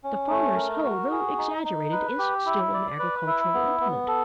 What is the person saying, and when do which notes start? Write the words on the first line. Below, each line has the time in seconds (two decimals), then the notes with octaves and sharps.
The farmer's hoe, though exaggerated, is still an agricultural implement.
0.04 C#4
0.30 A3
0.57 A#4
0.84 F#4
1.11 G#4
1.38 D#4
1.64 D#4
1.92 B4
2.18 G4
2.46 E4
2.73 D5
2.99 B4
3.27 E4
3.54 B3
3.80 B3
4.07 A4